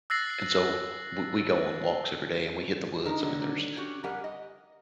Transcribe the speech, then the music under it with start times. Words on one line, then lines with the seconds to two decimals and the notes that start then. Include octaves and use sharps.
and so we we go on walks every day, and we hit the woods, I mean, there's
0.10 E6 F#6 A6 A#6 C7 F#7
3.06 D#3 D4 D#4 A#4
3.22 D3 D#3 F#3
3.77 C#4 F#4 G4
4.04 F2 G3 G4 A#4 F#5 G#5
4.24 D#5